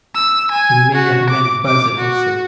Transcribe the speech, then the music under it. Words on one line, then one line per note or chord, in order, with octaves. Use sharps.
It may have meant "buzzard" also.
E6
G#5
F#4
D6
D6
F#4